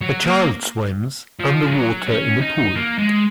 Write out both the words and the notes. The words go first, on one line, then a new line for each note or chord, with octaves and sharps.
A child swims underwater in a pool.
F#3
A#3
F3
G#3
F#3
C#4
D#4
A#3
G#3